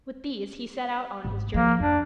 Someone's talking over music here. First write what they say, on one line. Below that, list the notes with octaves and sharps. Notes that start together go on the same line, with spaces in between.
With these he set out on his journey.
G#1
F3 A#3
F2 D4